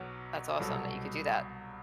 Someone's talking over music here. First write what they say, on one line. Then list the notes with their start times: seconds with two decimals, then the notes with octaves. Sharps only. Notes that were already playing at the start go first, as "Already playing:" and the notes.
That's awesome that you could do that.
Already playing: B1 B2 F#3
0.60 C2 B2 F#3 A4